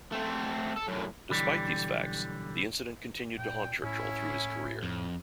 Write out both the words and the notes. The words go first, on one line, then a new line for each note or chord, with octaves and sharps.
Despite these facts, the incident continued to haunt Churchill through his career.
A3 C4
A4
F#2 A2
B1 D3 E3 G3
A#2 G5
A2 C#4 E4
F2